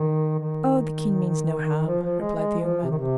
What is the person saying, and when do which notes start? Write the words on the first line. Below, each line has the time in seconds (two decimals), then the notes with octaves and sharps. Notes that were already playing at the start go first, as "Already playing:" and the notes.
"Oh! the king means no harm," replied the young man.
Already playing: D#3
0.39 D#3
1.86 F3
2.02 F3
2.20 G#3
2.36 G#3
2.60 F3
2.83 C3
2.91 D#3
2.98 C3